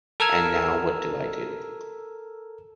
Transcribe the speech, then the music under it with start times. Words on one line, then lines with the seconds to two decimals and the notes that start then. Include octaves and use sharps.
And now, what do I do?
0.20 A4 A#4 E6 F6 G#6